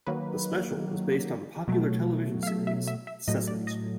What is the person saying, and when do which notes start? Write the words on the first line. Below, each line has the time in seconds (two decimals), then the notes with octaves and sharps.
The special was based on the popular television series "Sesame Street".
0.07 D#3 F#3 A#3 B4
1.68 B2 F#3 A3
2.43 F5
2.47 E5
2.67 E5
2.88 E5
3.07 E5
3.28 A2 F#3 A3 D#5
3.48 D5
3.67 D#5